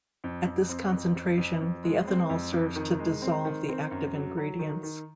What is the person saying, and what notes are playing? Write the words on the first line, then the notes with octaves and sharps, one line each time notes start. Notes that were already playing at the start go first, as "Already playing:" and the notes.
At this concentration, the ethanol serves to dissolve the active ingredients.
F2
F2
C4
F2
F2
F2
F2
G#3
C4
F2
F2
D#3
G#3
C4
D#3
C4
F#2
F#3
F#3
D#3
D#3